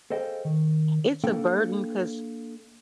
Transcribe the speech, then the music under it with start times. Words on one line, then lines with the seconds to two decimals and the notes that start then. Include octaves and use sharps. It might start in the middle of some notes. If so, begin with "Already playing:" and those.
it's a burden, 'cause
0.10 G#4 A4 C5 D#5 F5 G5
0.45 D#3
1.24 A#3 D4 A4 F5 G5